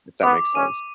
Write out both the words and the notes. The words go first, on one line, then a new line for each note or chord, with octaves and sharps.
If that makes sense.
B3 D6
C#4 D#7